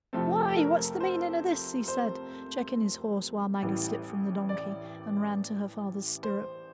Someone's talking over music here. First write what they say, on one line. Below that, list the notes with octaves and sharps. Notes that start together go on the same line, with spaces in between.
"Why, what's the meaning o' this?" he said, checking his horse, while Maggie slipped from the donkey and ran to her father's stirrup.
F2 C3 F3 A3 C4 A4
A4
A#4
C5
C5
A1 A2 E3 G3
D5
C5